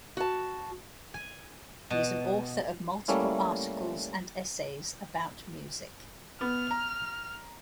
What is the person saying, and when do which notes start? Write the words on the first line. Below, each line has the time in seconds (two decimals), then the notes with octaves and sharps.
He is an author of multiple articles and essays about music.
0.17 F#4 A5
1.14 G#5
1.90 B2
3.08 G3 A3 A#3 C#4 E4
6.41 B3 F6
6.71 A#5